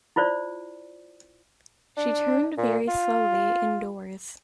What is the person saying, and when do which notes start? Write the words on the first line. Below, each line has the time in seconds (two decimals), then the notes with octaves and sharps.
She turned very slowly indoors.
0.16 E4 F4 C5 D5
1.97 D4
2.58 A#2
2.88 F4